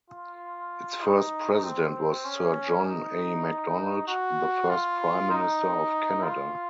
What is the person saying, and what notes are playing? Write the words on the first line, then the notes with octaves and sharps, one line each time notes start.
Its first president was Sir John A. Macdonald, the first Prime Minister of Canada.
F4
D#4
C4
C#4
D#4
F#4
F4
D#4
F4